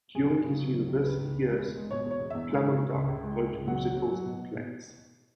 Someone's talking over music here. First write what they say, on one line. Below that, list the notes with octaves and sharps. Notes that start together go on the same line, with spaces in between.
During his university years, Plamondon wrote musicals and plays.
F#3 G#4
F#3
C#3
F#3
F#3
C#2
C#2 B4
C#2
E1
G#3
E1
G#3
B2 C#5
E2
C#5
E1
E2 E5
G#3
C#3
C#3
C#2
C#2
G#3
G#3
C#2
F#3 F#5
E1
F#3
F#3
B2
B2
B2